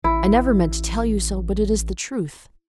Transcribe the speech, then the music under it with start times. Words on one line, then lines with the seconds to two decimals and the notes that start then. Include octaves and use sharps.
I never meant to tell you so, but it is the truth.
0.04 A1 E4